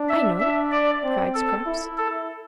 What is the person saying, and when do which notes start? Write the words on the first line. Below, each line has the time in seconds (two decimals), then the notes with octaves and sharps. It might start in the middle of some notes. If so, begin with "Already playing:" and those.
"I know!" cried Scraps.
Already playing: D4
0.09 E5
0.40 D4 E5
0.71 D5
1.03 C4
1.34 A4
1.66 E4
1.98 A4